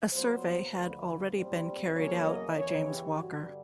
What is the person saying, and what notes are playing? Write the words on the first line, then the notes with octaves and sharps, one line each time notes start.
A survey had already been carried out by James Walker.
A#2 F#3 B3 C5
D2 D3 F3 A3 B4
A#2 G3 C4 C5
E2 C#3 F#3 A#3 C#5
D#5
E2 C#3 E3 C#5
G4
G2 D3 G3 F#4